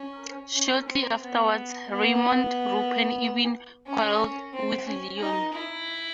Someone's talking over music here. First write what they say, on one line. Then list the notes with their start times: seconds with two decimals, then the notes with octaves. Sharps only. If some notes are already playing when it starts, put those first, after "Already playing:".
Shortly afterwards, Raymond-Roupen even quarreled with Leon.
Already playing: C#4
0.54 C#4
0.87 C4
1.20 B3
1.87 B3
3.86 C#4
4.53 C4
4.86 C#4
5.19 D#4
5.53 E4